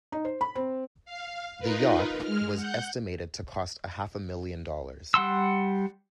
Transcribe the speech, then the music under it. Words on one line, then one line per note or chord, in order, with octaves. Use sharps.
The yacht was estimated to cost a half a million dollars.
D#4
C5
B5
C4
F5
D#4 F4 A#4 B4
G#3 F6
F#5 G6
G3 F#5 C6 E6